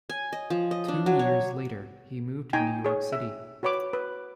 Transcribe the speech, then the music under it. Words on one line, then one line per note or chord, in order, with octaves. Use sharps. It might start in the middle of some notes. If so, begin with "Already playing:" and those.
Two years later he moved to New York City.
G#5
D#5
F3
D#5
D4
F#3
C#5
D#4 G5 G#5 A#5
G#4 C#5
E5
F#4 B4 C#5 B5 D6
B4